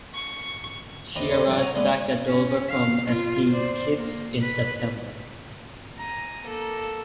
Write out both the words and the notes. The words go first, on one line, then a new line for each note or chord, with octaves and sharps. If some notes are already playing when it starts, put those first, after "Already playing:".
She arrived back at Dover from St Kitts in September.
C#6
D#2 C3 D4 B4 D5 D#5
D4 E4 A4 B4 C5 D#5
G2 F3 D5
C#5 F#5 A#5 D#6
G#3 D4 G#4 B4 D5
C#4
F5
F4
C5 D5
A#3
B4
G#5 A#5
A#3 A4